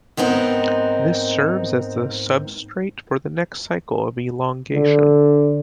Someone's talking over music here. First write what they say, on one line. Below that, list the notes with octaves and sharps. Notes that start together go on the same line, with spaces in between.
This serves as the substrate for the next cycle of elongation.
G#2 B3 C4 D#4 A#4
D3